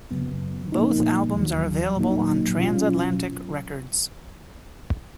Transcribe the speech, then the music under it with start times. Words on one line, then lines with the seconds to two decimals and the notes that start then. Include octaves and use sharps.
Both albums are available on Transatlantic Records.
0.11 F#2 C#3 F#3 B3
0.72 A#2 F3 A#3 D#4
1.34 D#2 D#3 F#3
1.96 A#2 F#3 A#3 D#4
2.57 B2 F#3 C#4 F4